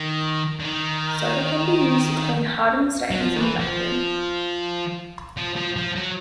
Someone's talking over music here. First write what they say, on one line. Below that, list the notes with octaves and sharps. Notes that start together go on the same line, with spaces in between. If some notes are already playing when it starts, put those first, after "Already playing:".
Soda can be used to clean hardened stains in the bathroom.
Already playing: D#3
D3
D#3
F#3
F3
D#3
E3
F3
F3
F3
F3
F#3